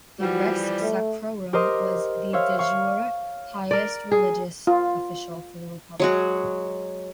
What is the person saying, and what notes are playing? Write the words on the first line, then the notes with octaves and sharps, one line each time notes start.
The Rex Sacrorum was the "de jure" highest religious official for the Republic.
E3 F3 G3 F#4
A3
G4 A#4 C5 D#5
C5 C#5 E5 F5
F5 C#6
A#4 D5
G#4
F4
F#3 G#3 F#4